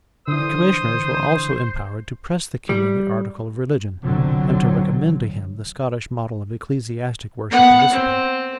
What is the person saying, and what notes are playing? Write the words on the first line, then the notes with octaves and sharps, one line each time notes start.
The commissioners were also empowered to press the king on the article of religion, and to recommend to him the Scottish model of ecclesiastic worship and discipline.
D3 E3 C5 D#6
G3
F1 B1 D3 F#3 C4
B3 F#5
C4